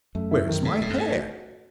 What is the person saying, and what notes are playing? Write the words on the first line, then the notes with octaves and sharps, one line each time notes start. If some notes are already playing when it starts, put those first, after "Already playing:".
Where's my hair?
F#2 A3
E4
D#3
G#2 A3
A2 A3
F#2
G#2 A3
F#4